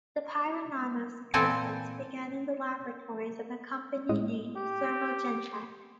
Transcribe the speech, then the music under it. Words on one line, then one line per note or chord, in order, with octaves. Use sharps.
The Pyronanos existence began in the laboratories of a company named Thermogentech.
A#2 E3 C4 A4 G#5 A5
A2 G#3 D#6
G4